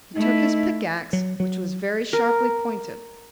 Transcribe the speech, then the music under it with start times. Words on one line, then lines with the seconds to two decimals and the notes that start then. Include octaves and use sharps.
He took his pick-axe which was very sharply pointed.
0.15 A3 D#4 E4
1.13 F#3
1.40 F#3
2.13 A#4